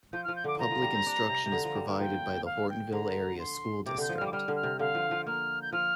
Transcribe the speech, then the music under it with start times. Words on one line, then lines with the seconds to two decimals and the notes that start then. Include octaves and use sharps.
Public instruction is provided by the Hortonville Area School District.
0.13 F3 G6
0.24 F3 F6
0.36 G6
0.44 D3 D6
0.59 F3 A#5
0.71 F3
0.82 G3
0.95 C4
1.07 D4
1.29 C3
1.46 C3
1.52 D3
1.64 F3
1.75 G3
1.87 A#3
1.99 F3 G5
2.46 F5
2.70 G5
2.92 D3 A#5
3.39 C6
3.86 C3 D6
3.98 D3 G6
4.09 F3
4.17 G3 F6
4.26 D6
4.33 G3 F6
4.48 D3
4.56 F6
4.63 C3
4.79 D3 F5
4.95 F3
5.11 F3
5.26 A#3 F6
5.62 G6
5.72 F3 F6